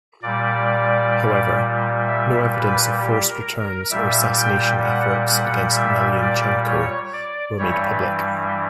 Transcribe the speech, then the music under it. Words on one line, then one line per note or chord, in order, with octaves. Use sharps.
However, no evidence of forced return or assassination efforts against Melnychenko were made public.
A#2 G3 D5
E5
B4
G4
A#4
A#4
A#2 G3 E5
G5
F#5
F#5
E5
D5
C#5
D5
G2 E3 G3 C#5
B4